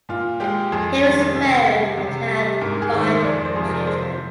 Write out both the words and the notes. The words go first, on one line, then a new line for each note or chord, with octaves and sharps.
He was married and had five children.
A#2 F4
G#3 G4
F2 G#4
D#3 G3
C3
G3
C3
G3
G#2 A#4
G#4
D#3 G#3
C5
F2 D5
C5
C3 F3 G#4
A#4
C3 C5